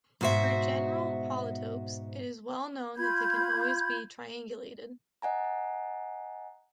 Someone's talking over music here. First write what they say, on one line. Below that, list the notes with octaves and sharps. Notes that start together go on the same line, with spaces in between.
For general polytopes, it is well known that they can always be triangulated.
G#2 B2 F#4 C5 E5
F4 B5 G6 G#6
D#5 F#5 G#5 A#5